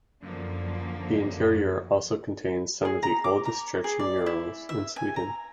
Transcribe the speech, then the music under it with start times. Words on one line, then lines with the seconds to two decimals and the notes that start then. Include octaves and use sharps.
The interior also contains some of the oldest church murals in Sweden.
0.23 F#2 D3 F3 A#3
2.85 G#4
3.03 A#5
3.24 D6
3.45 A#5
3.84 G#4
3.99 D5
4.26 E4
4.69 E5
4.96 G#5
5.16 A#5